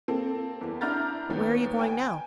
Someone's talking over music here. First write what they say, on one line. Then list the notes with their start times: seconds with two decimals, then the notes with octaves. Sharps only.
'But where are you going now?
0.08 A#3 C4 A4
0.61 E2
0.81 D4 E4 A#5 F6 G6 A6
1.30 D#2 B3
1.79 G5 G#5